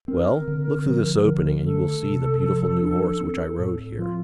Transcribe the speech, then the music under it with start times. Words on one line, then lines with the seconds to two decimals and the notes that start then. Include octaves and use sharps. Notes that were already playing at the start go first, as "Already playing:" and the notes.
"Well, look through this opening, and you will see the beautiful new horse which I rode here."
0.08 C4 A#4
0.48 D3
0.86 F3
1.25 D3
1.63 A3 A4
2.03 C3
2.42 F3
2.81 D4
3.21 C4
3.59 A2
3.98 F3 F4